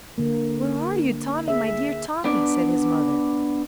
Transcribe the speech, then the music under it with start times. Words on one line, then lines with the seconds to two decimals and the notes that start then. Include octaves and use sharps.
"Where are you, Tommy, my dear Tommy?" said his mother.
0.18 D3 A#3
1.48 G#4 E5
2.24 B3 D4 D5